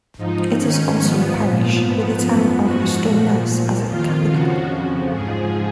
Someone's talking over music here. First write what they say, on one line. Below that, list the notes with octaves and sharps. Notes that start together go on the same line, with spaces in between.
It is also a parish, with the town of Stromness as its capital.
G#2 F3 D#4
G#2 D#3 C#4
G#2 F3 B3
A#2 F3
G#2 F3 B3
F#2 F3 B3
G#2 F3 F#4
A#2 F3
A#2 F3
F2 D#3 F4
F2 C#3 F3 F#4
F2 C#3 F3
G#2 F3 G#4